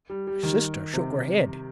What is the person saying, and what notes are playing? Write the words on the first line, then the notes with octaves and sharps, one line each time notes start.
My sister shook her head.
G3
G3
D#3
C3